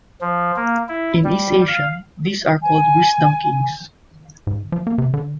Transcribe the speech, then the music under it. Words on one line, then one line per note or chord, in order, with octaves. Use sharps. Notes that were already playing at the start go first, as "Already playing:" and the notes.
In East Asia, these are called Wisdom Kings.
F3
A#3
E4
G3
F5
G#5
G#2
F3
A#3
C3
D3